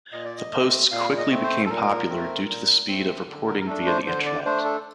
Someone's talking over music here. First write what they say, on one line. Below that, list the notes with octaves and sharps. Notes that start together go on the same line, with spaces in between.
The posts quickly became popular due to the speed of reporting via the Internet.
A#2 D#5
D5
D#5
A3 C4
A#2 F5
D#5
A3 C4
C5
A4
A#2 A#4
A3 C4
A#2
A3 C4
D3
A#4
A#4
A3 D4 A4
C5
D3 C5
D5
A3 D4 C5
A4